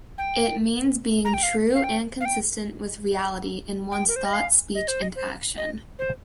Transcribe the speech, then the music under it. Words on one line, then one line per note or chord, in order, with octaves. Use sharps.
It means being true and consistent with reality in one's thought, speech and action.
G5
A#5
G5
F5
F5
G5
F5
G5
G5
A#4
C5
D#5
F5
D#5
C5
D#5
C5
D#5
C5